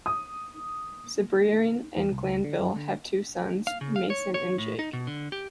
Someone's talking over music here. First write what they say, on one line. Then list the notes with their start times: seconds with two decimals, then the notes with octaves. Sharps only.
Cibrian and Glanville have two sons, Mason and Jake.
0.06 D#6
1.96 E2
2.12 C2
2.25 C#2
2.44 D3
2.59 F#2
2.76 D3
3.67 F5
3.81 C#3
3.96 F5
4.10 C#5
4.34 C#5
4.58 A2
4.79 D#4
4.93 B2
5.07 D3
5.32 G4